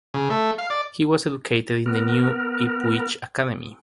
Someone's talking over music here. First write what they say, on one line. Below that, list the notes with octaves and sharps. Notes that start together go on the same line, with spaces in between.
He was educated in the New Ipswich Academy.
C#3
A3
F5
D5
B3 A#4